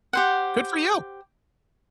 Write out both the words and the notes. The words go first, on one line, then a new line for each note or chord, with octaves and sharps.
Good for you.
G4 C5 F#5